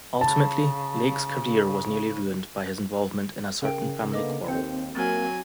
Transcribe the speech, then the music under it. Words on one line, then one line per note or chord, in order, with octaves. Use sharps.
Ultimately, Lake's career was nearly ruined by his involvement in a certain family quarrel.
C#3 A5
C#3 A#4 G5
D3 A#3 B3 A4 D#5 D6
D#2 C4 G6 C#7
F#3 A#3 G#5 F6 A6